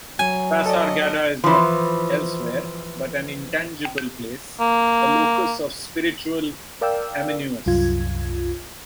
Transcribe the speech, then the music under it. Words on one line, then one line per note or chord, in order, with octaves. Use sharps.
Passargada is not elsewhere, but an intangible place, a locus of spiritual amenus.
F#3 G#5
A4 D5 D#5
E3 F3
A#3
A#4 D5 F5 G5 E6
C2 F#2 F4 G#6